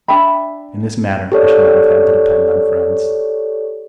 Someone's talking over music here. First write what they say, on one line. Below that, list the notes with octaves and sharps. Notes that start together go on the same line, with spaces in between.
In this matter I should not have had to depend on friends.
D4 E5 G5 B5
G4 A4 C#5 D5